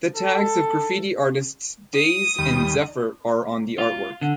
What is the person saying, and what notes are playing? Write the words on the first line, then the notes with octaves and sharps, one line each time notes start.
The tags of graffiti artists Daze and Zephyr are on the artwork.
A4
D#6
D#2 G3
F4
D3